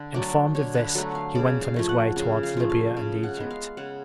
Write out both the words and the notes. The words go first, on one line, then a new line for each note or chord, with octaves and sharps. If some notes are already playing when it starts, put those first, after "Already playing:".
Informed of this, he went on his way toward Libya and Egypt.
Already playing: D3
F#3 A3 D5
D3 C#5
B4
F#3 A3 A4
F5
C#3 D5
F5
F3 A3
F#5
C#3 F5
F5
F3 A3
F5
C#3
F#5
G#3 B3
F5
C#3 F#5